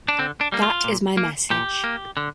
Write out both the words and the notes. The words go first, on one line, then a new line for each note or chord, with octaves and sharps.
That is my message.
D4
D3 C4
D4
G3 A#3
F4
A#2
A#3
A#2 G4
A#3
D3